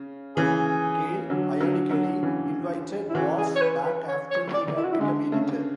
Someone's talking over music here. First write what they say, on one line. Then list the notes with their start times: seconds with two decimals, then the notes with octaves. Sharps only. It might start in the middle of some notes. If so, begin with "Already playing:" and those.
Gale, ironically, invited Waugh back after he had become editor.
Already playing: C#3
0.36 C#3 E3 G#4
1.30 D3 F#3
1.61 D3 F#3
1.91 D3 F#3
2.23 C#3 E3
3.10 E4
3.15 C#3 E3 F#4
3.38 G#4
3.56 C#5
3.62 B4
3.85 B4
4.08 C#5
4.31 C#5
4.54 D5
4.77 E4
4.85 F#4
4.93 E4
5.00 D3 G#3
5.31 C#3 A3